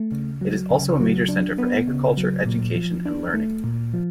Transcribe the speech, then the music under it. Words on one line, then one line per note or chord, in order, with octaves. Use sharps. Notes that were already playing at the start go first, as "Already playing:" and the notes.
It is also a major centre for agriculture, education and learning.
Already playing: A3
C#3
F#3
C#3
F#3
D4
B3
C#3
F#3
A#2
F3
D4
A3
A#2
F3